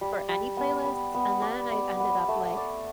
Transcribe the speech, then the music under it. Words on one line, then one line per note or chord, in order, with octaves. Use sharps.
for any playlists, and then, I'd ended up, like,
G3
G3
B3
B3
B3
D5
B3
B3
A3
D5